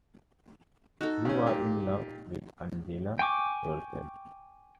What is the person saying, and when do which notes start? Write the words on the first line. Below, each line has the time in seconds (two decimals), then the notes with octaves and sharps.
You're in love with Angela yourself.
1.01 D#4 F#4 A4
1.25 C#3 C#4
1.46 A#2 G4
3.19 G5 G#5 C#6 D6